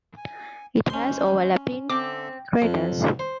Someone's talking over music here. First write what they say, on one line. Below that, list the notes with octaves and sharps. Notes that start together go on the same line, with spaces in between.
It has overlapping craters.
G#5
D#2 G#3 C#4 C5 C6
D3 C4 A4 E5 D6
F2
C5